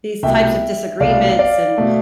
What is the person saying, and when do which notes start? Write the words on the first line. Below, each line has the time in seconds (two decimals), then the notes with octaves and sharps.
these types of disagreements, and
0.23 C2 B2 A3 E5 G5
1.00 C2 B2 A3 D5 F5
1.39 D5 F5
1.78 B2 A3